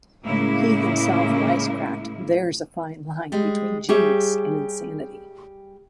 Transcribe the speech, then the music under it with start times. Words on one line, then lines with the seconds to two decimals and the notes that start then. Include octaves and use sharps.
He himself wisecracked There's a fine line between genius and insanity.
0.25 A2 C#3 G#3 A#3 E4
3.32 G3 G#3
3.89 G3 G4 G#4 C#5 E5